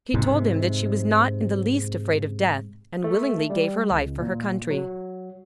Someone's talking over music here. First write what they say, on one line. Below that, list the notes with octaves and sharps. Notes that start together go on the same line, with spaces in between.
She told him that she was not in the least afraid of death and willingly gave her life for her country.
G#2 C3
A3
G3
C#2
A#2
F#3